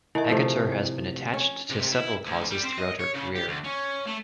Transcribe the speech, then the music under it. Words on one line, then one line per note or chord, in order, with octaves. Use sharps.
Agutter has been attached to several causes throughout her career.
D#3 E4 E5
C3 F3 A3
C#4
C3
E4
D2
G3
C4
D#5
C#5
C#3
G4
D2
C#4
A3